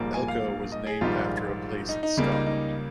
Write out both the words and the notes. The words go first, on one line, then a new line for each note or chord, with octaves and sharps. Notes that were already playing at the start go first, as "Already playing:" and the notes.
Elcho was named after a place in Scotland.
Already playing: A#1 G#2 G3 A#3
G#5
F5
D#5
G#4
A#1 G#2 D#3 G3 A#3 F4
D#4
D#4
C#2 C#3 G3 A#3 D#4
D#4
D#4